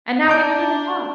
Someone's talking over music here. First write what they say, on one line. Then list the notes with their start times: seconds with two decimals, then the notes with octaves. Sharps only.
and now we don't even talk.
0.28 D4 A#5 D6 G6